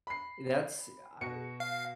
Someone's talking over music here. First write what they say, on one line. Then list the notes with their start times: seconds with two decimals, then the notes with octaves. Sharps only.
that's I
0.07 B5 C7
1.21 B2 F#4 C#7
1.60 F5